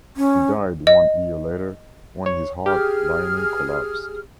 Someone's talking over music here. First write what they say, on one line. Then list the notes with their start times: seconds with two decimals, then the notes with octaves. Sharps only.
He died one year later when his heart lining collapsed.
0.17 C#4
0.87 D#5
2.26 C#5
2.66 G4 G#4 F6